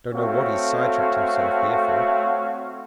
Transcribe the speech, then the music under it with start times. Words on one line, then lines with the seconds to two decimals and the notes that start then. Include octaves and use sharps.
Don't know what he's side-tracked himself here for.
0.13 A3 C4 F#4 C#5 F5